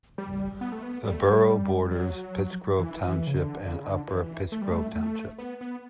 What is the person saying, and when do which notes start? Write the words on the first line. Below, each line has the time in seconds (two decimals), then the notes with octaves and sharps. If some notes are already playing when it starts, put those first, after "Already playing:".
The borough borders Pittsgrove Township and Upper Pittsgrove Township.
0.18 G3
0.61 B3
0.72 A3
0.83 B3
1.05 G3
1.13 A3
1.22 G3
1.91 F#3
2.79 E3
3.07 E3
3.27 C#3
3.36 D3
3.65 D3
3.74 C#3
3.84 D3
4.08 E3
4.52 A3
4.62 G3
4.70 A3
4.95 A3
5.38 B3
5.61 B3